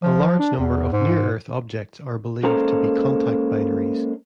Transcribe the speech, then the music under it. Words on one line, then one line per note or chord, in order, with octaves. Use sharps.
A large number of near-Earth objects are believed to be contact-binaries.
F3
D4
E2
G#2
G#3 A#3 C#4 A4 C5 A#5